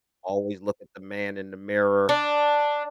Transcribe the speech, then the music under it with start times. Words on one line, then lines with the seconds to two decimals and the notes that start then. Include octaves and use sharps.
"Always look at the man in the mirror,"
2.09 D4